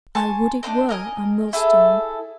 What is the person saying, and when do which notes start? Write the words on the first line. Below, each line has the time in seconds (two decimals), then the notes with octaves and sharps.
I would it were A millstone!
0.15 G#5 A5 C6 C#6
0.63 D4 D#4 C5 D#5
0.89 A#4 D#5 G#5
1.53 E4 G#4 A4